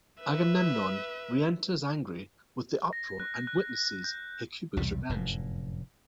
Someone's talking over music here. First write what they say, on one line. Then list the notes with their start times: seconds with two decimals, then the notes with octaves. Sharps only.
Agamemnon re-enters angry with the uproar and witnesses Hecuba's revenge.
0.21 B4 E5
2.93 A#6
3.20 F#6
3.47 F#6
4.04 G6
4.77 B1 E2 C3 G3
5.09 F1 F#2 A2